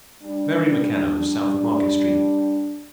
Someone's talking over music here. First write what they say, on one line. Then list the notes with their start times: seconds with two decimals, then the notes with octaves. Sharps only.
Mary McKenna lives south of Market Street.
0.22 G3 D4